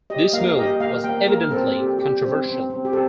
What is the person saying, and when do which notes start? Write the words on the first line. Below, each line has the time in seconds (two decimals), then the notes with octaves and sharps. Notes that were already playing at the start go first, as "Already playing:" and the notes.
This move was evidently controversial.
0.10 G4 D#5
0.33 A#3 F5
0.47 F5
0.57 G4 D#5
0.80 A#3 F5
1.04 A#3 G5
1.28 A#3 A#4
1.51 C4 A4
1.75 G4
1.99 G4
2.22 C4
2.46 C4
2.70 C4
2.85 G4
2.93 C4 A4